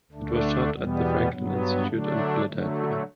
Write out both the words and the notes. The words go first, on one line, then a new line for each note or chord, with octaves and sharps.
It was shot at the Franklin Institute in Philadelphia.
D2 D3 A3 D4
E2 B2 G3 B3
G2 F#3 B3
D3 F#3 A3 D4
D3 F#3 A3